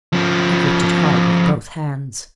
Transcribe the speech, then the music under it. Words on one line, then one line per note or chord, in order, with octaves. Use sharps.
I gripped it hard with both hands.
F3 C#4